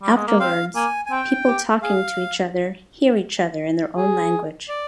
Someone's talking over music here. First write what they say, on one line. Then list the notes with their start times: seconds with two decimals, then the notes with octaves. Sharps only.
Afterwards, people talking to each other hear each other in their own language.
0.03 G3
0.15 G#3
0.28 A#3
0.39 C4 F5
0.75 A#3 G#5
1.06 G#5
1.11 C4 G5
1.47 G4
1.82 G#4 F5
3.97 G#4
4.69 D5